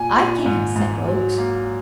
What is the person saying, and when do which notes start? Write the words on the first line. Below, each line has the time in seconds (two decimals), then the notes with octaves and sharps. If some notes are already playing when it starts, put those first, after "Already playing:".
"I can," said Oakes.
Already playing: A#2 G#5
0.14 A#2
0.46 G#2
0.76 G#2
1.07 F#3
1.38 A#3